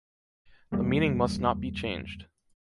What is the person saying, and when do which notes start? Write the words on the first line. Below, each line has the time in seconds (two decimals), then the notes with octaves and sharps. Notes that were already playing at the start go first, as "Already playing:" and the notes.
The meaning must not be changed.
0.72 F#1 E2 G3 A#3